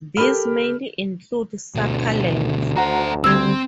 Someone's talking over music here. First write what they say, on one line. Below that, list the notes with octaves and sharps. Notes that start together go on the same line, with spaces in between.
These mainly include succulents.
G4 A4 A#4 B5 F6
D2 B2 D3
F#4 C5 F#5 A#5
D3 G3 C4 E6 G#6